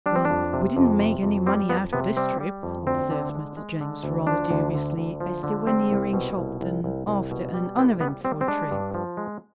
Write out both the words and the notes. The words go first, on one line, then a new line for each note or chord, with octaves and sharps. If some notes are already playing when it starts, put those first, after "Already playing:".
"Well, we didn't make any money out of this trip," observed Mr. Jenks, rather dubiously, as they were nearing Shopton, after an uneventful trip.
G3 D4
C4
D4
F2
C3
F2
C3
F2
G3 C4
F2 B3
C3 B3
G3 C4
G3
F2
D2 C4
D3
G#3
G#3
D3
D2
F3 D4
D2
D3
D2
F3
D3
G3 C4
C2
B2
C2
C2
C2
C2
B2
G3
C2 B3
G3 B3
G3 C4
C4
G#3 D4
G2
F3
G#3